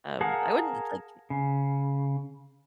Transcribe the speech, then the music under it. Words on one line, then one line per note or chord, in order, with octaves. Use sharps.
Um, I wouldn't, like,
G#4 A#4 F5 F#5 A5
C#3